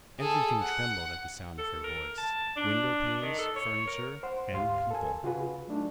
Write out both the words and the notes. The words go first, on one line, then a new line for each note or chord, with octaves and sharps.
Everything trembled at the sound of her voice,--window panes, furniture, and people.
G#4 A4
F#5
A4
A#4
A5
D4
D#3
A4
C#5
A#4
C5 F#5 C6
D2 G#2 G4 F5 C6
A4 A#4 G#5
C#3 F4 F#4 G#4 B4
F#3 A3 D4 D#4